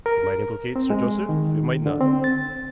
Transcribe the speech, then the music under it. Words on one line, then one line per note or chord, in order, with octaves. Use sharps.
It might implicate Sir Joseph, it might not.
A#4
C4
G#3
D#3
D3
C4
A6